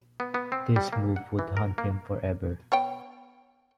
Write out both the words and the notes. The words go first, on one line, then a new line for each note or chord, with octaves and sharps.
This move would haunt him forever.
B3
B3
C4
G3
A#3
F#5
E3
A#4
A#3
B3 C#5 G5